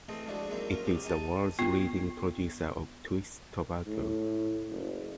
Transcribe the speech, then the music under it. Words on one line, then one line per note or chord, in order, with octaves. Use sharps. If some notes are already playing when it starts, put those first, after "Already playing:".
It is the world's leading producer of twist tobacco.
E3 A3 C4 G#4 C5 D#5
F3 G#3 D4 E4 F#4 G#4
F#3 A#3 C4 D#4 E4 C5
C#4 F4 A#4
F#2 C3 G4 G#4
D#4 G#5 A5
B3 F4
A2
F#1